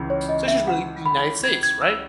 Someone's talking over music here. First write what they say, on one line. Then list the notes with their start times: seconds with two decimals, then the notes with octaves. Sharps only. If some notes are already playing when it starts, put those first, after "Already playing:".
So, it's just really the United States, right?
Already playing: C#2 C#3 E3
0.10 C#5
0.29 D#5
0.48 E5
0.67 F#5
1.06 B5
1.44 G#6
1.63 G#6
1.82 E6